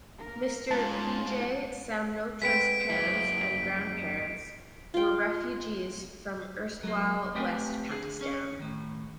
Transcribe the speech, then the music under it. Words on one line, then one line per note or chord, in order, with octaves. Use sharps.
Mr Vijay Samnotra’s parents and grandparents were refugees from erstwhile West Pakistan.
A#3 A#4
G#2 C#4 F4 A5
G#3 B3 C4 B6 D7
F#2 A#3 E4
F4 G5
F#3 G#3 A#3
A3 C4 G4 B4 G5 G#5
D3 G#4
C#4 C#5
A2 D#3